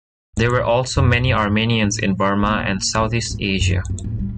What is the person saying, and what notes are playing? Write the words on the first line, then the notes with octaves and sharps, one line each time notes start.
There were also many Armenians in Burma and Southeast Asia.
A2
F#2
G2
A2
A#2
G2
A2
G2
F#2
G2
A2
G3